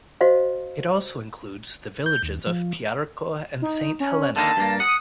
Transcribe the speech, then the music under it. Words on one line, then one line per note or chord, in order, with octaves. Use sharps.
It also includes the villages of Piarco and Saint Helena.
F#4 C5 C#5 D#5 F5
G6
D#2
F3
D#4
C#4
D3 D#3 A#3 A5
G2 A#3
F#5 D#6